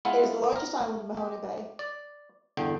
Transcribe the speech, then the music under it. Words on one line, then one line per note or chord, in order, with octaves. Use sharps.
It is the largest island in Mahone Bay.
G#3 B3 E4 F4 B4 F#5
A#4
G4
D5
G1 E2 D3 G5